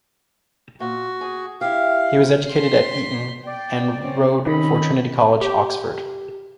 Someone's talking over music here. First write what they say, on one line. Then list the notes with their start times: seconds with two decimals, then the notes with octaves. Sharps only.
He was educated at Eton and rowed for Trinity College, Oxford.
0.80 A#2 F#4
1.21 G#4
1.61 E4 G4 F5
2.50 C6 B6
3.46 D5 G5
4.02 C4 C#4
4.47 D#3 C4 C#4 D#5 B5
5.41 G4